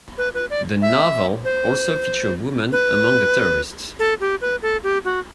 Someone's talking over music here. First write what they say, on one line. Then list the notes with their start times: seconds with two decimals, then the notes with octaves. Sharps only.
The novel also features women among the terrorists.
0.18 B4
0.34 B4
0.50 D5
0.82 E5
1.45 C5
2.72 B4
3.99 A4
4.20 G4
4.41 B4
4.62 A4
4.83 G4
5.05 F#4